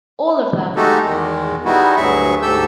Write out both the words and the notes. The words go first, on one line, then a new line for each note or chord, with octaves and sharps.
All of them!
G#3 A3 D#4 F#4 G4 A4
E2 D#3 G#3
G3 G#3 B3 D#4 E4 F#4
D2 G2 F#3 G#4 E5 C#6
D2 G#2 G4 A4 E6 G6